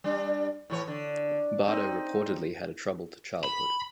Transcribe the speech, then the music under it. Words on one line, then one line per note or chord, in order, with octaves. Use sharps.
Bardo reportedly had a troubled childhood.
G3 D4
A2 E3 C#5
D3
C4 D#4
B5